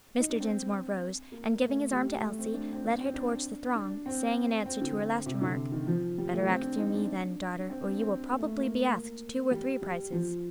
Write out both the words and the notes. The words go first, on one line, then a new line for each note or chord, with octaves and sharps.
Mr. Dinsmore rose, and giving his arm to Elsie, led her towards the throng, saying in answer to her last remark, "Better act through me, then, daughter, or you will probably be asked two or three prices."
D#4
D4
C4
A#3
A3
G3
A3
C4
D4
C4
D4
C4
D4
D4
C4
C4
D3
C3
D3
D#3
F3
G3
A3
C4
D4
D#4
D4
D4
C4
D4
C4
A#3
A3
A#3
A#3
G3
G3
F3